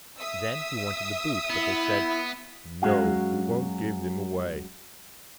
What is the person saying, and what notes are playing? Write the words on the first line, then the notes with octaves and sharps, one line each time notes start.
Then he wanted the boots, but they said, 'No, we won't give them away.
E5 D#6 E6
B3 E4
F#2 F#3 G#3 D#4 F#4 F5